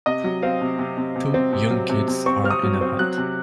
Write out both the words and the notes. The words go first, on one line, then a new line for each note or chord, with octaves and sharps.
Two young kids are in a hut.
C3 D#5
F#3
C4 F5
C3
C3
C3
C3
C4
C3
F#3
C3
C3
C4 C#6
C4 F6
D#6
F#3
C4
F#3 F#6
C3